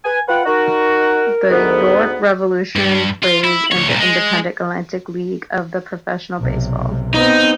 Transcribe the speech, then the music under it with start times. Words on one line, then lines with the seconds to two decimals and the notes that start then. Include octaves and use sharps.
The York Revolution plays in the independent Atlantic League of Professional Baseball.
0.05 B4 G#5
0.29 F4 B4 F#5 G5
0.46 D#4 F#4 A#4
1.50 D2 G#2 B3
2.76 G2
3.23 F4
3.44 E4
3.72 D2 C#5
3.88 C2 A#2
4.00 G#3
6.40 B1 C3
7.14 B3 C4 D#4